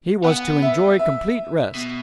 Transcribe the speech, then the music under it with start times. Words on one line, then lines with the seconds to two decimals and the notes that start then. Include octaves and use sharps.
He was to enjoy complete rest.
0.24 B3 F#5
0.62 E5
0.99 E5
1.75 B2